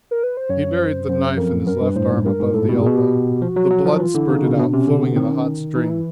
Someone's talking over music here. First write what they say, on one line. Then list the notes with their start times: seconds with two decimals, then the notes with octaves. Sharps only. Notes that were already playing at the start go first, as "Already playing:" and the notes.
He buried the knife in his left arm above the elbow; the blood spurted out, flowing in a hot stream.
0.11 A#4
0.23 B4
0.37 C5
0.49 F#2 C#5
0.79 C5
1.09 F#2
1.37 F2 A#4
1.67 F#2 A#4
1.81 G2
1.88 B4
1.96 A2 C5
2.11 G#2
2.25 G2 A#4
2.40 G#2
2.54 A2 A4
2.69 B2 G4
2.77 A#2
2.82 B2 G#4
2.95 G4
3.42 F3 F#4
3.56 F#3
3.71 F#3
3.86 F3
4.00 E3 F4
4.14 D3 E4
4.29 C#3 D#4
4.44 B2
4.58 B2 D4
4.73 C3 C#4
4.88 D3
5.02 B3
5.16 D#3 C4
5.31 C#4
5.75 E3 D#4
5.89 E4